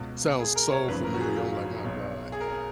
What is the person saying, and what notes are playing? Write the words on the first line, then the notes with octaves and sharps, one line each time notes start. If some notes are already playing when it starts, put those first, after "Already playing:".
sounds so familiar. I'm, like, "My god,
Already playing: C#2 B2
G#4
A#4
C#5
G#1 F#2 C#3 F3 B4
A#4
F#4
G#4
F4
B1 B2
G#4
A#4
G#4